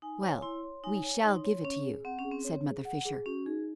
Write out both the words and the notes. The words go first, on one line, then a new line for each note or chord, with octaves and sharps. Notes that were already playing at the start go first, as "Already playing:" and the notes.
"Well, we shall give it to you," said Mother Fisher.
D#4 G#5
C#5
E4 C6
C#5
D#4 G#5
C#5
D#4 C6
C#5
C#4 C#5
G#4
C4 F#5
C#4
G#4
C4
C#5
G#4
F#5
G#4
C#4 F#4
D#4 G#4